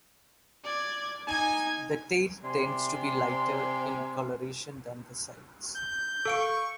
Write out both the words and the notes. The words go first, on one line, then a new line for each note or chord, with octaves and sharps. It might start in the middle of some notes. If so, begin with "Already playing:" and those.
The tail tends to be lighter in coloration than the sides.
D5 G#6
D#4 G#5 G#6
C3 D5 G#5 C6
G6
A4 F5 C#6 D7